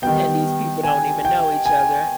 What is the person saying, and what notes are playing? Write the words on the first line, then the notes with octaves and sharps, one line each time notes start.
And these people don't even know each other.
D#3 G3 B3 G5
G#5
G5
G#5